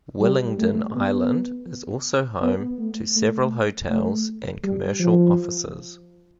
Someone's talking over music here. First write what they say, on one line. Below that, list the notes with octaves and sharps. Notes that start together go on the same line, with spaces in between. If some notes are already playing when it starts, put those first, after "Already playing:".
Willingdon Island is also home to several hotels and commercial offices.
G3
A3
B3
B3
A3
A3
A3
G3
F3